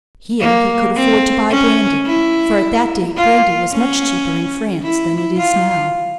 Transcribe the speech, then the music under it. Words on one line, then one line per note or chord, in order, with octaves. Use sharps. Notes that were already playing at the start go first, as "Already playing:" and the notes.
Here he could afford to buy brandy, for at that date brandy was much cheaper in France than it is now.
A#3
C4
C#4
E4
F4
C#4
E4
F4